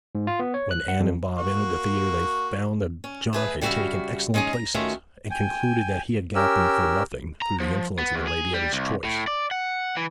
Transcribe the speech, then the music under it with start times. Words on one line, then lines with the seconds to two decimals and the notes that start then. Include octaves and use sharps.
When Anne and Bob entered the theatre they found that John had taken excellent places, and concluded that he had got them for nothing through the influence of the lady of his choice.
0.15 G#2
0.27 F4
0.39 B3
0.54 C#5
0.71 F#6
0.88 F#5
1.00 F2
1.38 A#3 F#4
3.04 C#4
3.33 A3 G#4 B4
3.61 C#3 G3 F#4 G#4 E5 F5
4.34 G#3 C#4 D#4 G4 G#4
4.53 A#5
4.74 D#3 A3 C#4 F4 F#4
5.31 G5 G#5
6.35 C#4 G4 A#4 E6
7.42 A#5
7.60 F3
7.99 B3
8.14 E2
8.27 G#4
8.54 G3
8.73 C2
9.04 A2
9.28 D5
9.51 F#5
9.97 E3